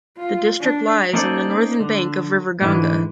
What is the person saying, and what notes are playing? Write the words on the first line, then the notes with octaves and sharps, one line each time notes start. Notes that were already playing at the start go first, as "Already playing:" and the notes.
The district lies on the northern bank of river Ganga.
F4
D4
A#3 C#4 D#4 A4 C5 D5
D3
G#2 D3 E3 G#3